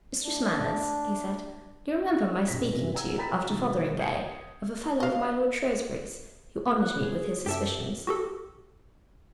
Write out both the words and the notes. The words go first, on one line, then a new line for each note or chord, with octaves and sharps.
"Mistress Manners," he said, "you remember my speaking to you after Fotheringay, of a fellow of my lord Shrewsbury's who honoured me with his suspicions?"
A3 D4
B1 F#2 A#2 A#6 B6
G1 C2 F#2 C3 F#3
F#5 G#5 A#5 E6 G#6
G5 A#5 B5 A6 B6
D2 B2 D#3 G3
D#6 G6 G#6 C7 C#7
D#5 F5
F#6
G#4
F#2 G4 A4 E5
F#4 G4 A4